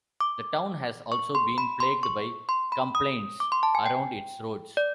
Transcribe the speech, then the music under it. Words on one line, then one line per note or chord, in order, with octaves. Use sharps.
The town has also been plagued by complaints around its roads.
D6
C#6
C6
B5
C6
C#6
C6
B5
D#6
D6
C6
A5
G#5
G5
D5